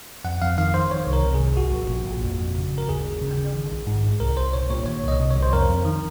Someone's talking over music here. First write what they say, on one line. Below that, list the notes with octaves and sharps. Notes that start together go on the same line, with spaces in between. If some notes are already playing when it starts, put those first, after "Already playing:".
The sound of today, in other words, a decade early.
F2 F#5
F2 F5
D#3 F5
D#3 C5
D#3 C#5
C2
A#4
C3
G#4
C2
A#1 F#4
A#1
A#2
A#2
F2
F2
C#3
C#3
A#4
D#2 G#4
D#2
C#3
C#3
D#3
A#1
G#2
A#1
C2 A#4
C2 C5
A#2 C#5
A#2 C#5
D#3 C#5
C2 D#5
C3
C#5
C2
C5
F2 A#4
F2
D#3